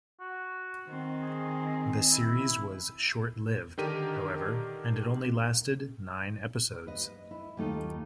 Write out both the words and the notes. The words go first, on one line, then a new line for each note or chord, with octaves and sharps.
The series was short-lived, however, and it only lasted nine episodes.
F#4
D#3 C4
G#4
E4
D3 D#3 G4 A#4 D#7
B4 D#5
E4
D#2 A3 D#4 F4 D#5